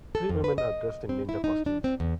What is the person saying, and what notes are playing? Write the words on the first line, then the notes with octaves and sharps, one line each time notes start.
Three women are dressed in ninja costumes.
A4
F2
B4
D#5
C4
E4
D#4
D4
C4
E2